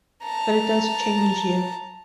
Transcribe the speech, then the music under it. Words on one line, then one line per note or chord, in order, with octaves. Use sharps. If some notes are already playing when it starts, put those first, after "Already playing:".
But it does change you.
A5 A#5